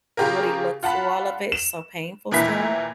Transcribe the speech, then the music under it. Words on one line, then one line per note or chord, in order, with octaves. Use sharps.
really look through all of it. It's so painful still,
C#3 F4 G4 G#4 A#4
F4 F#5 A5 B5
E7
D#2 A#2 E3 E4 A#4 B6